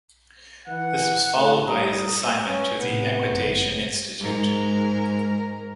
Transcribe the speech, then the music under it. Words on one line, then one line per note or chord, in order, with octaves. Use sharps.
This was followed by his assignment to the equitation institute.
E3 F#5
A2
G3 A#5 D#6
C#4 B4 G#5
A2 C3 B3
G1 F#2 C#7
G#2 G#3 A#4